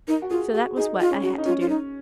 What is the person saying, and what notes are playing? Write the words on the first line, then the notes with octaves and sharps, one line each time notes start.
So that was what I had to do.
D#4 A#4
F#4
F4 G#4
F#4 G#4
D#4 G#4
F4
C#4
F#4
D#4
C#4 F4
F4
D#4